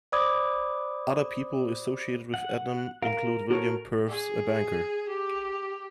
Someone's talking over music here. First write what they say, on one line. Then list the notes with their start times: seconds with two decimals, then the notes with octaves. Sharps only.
Other people associated with Ednam include William Purves, a banker.
0.12 C5 D5 B5 D6 D#6 G#6
2.34 F#5
3.02 A#4 F5
3.51 F#4 A4 A#4 C#5
4.07 G#4
5.09 G4